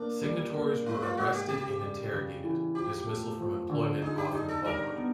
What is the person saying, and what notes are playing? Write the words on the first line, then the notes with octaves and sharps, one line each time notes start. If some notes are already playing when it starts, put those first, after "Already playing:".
Signatories were arrested and interrogated; dismissal from employment often followed.
Already playing: A#3 D4
G3
A#3
G#2 E4
F4
G#2 F#4
G4
C#3 G4
G3
C#3
E3
F3 G4
A3
F3
D3
D#4 G#4
G4
D#4 G#4
A4
G3 A#4
B3